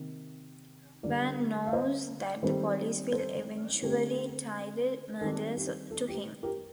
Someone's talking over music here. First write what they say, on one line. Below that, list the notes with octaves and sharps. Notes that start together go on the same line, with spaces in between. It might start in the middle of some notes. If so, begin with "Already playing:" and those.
Vann knows that the police will eventually tie the murders to him.
Already playing: C3 D#3 A#3
D3 G3 A#3 A#4 D5
F5
C5 D#5
D#3 G3 C4 A4 C5
A4 C5
D3 A3 C4 G4 A#4
D#3 G3 C4 A4
G4
A4
G4
G4 A#4